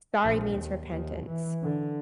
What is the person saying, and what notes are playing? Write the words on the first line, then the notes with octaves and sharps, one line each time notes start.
sorry means repentance.
A#1
D#2
D#2
E3
D3